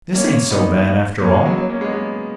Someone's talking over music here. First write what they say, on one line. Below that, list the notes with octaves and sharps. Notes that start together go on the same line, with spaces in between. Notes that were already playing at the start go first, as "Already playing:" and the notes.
This ain't so bad, after all.
A#3 C#4
B3 D#4
A#3 C#4
G#3 B3
F#3 A#3
F#3 A#3
A#3 C#4
G#3 B3
G#3 B3